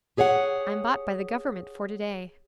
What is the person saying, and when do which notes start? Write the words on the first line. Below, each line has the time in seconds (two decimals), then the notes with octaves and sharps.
"I'm bought by the government for to-day."
0.17 G4 G#4 C#5 F5 F#5